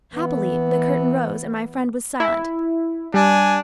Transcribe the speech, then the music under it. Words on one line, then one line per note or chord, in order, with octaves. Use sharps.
Happily, the curtain rose and my friend was silent.
E3 B3
E4
G3 D4 G#5